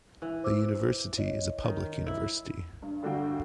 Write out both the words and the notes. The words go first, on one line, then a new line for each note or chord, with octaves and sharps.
The university is a public university.
E3
C5 D6 E6
C#5 D#5
D#3
E4
G2
D2 D3 G3 F#4 F5 G5